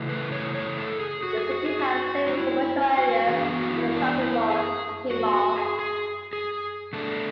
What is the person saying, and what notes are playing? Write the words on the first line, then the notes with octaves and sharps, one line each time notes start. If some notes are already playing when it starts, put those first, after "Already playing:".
The city has several commercial areas and a shopping mall, City Mall.
Already playing: C#3 E3 A3
B4
C#5
C#5
A4
G#4
F#4
G#4
F#4
G#4
F#4
D4
E4
F#4
E3 B3 D4 G#4
F#4
D4
E4
D4
E4
G#4
F#4
F#4
G#4
G#4
G#4
B2 A3 D4 A4